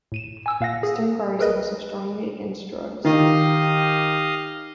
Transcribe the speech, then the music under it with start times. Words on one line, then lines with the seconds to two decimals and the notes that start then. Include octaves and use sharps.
Stonegard is also strongly against drugs.
0.12 A2 D#7 E7
0.46 G#5 E6
0.61 A#2 F5 F#5 A#6
0.83 G#4
1.39 G#4 A#4 B4 D#5
3.05 D#3 D#4 G4 D#5 F5